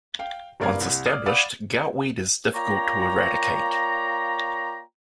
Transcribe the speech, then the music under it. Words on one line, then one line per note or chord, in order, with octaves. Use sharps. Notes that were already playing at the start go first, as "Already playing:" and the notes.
Once established, goutweed is difficult to eradicate.
F5 G5
F#1 G2 A#4 D5 F5 G#6
C2
D5 D#6 F6 C7
D5 F5 F#5 B5 D#6
A#3 F4 C#5 D5 G5 A#5